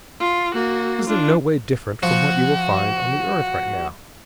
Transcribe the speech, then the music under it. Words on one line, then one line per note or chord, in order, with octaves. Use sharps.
It was in no way different from what you will find on the earth right now.
F4
A#3 F#4
D4 F4
F3 F#4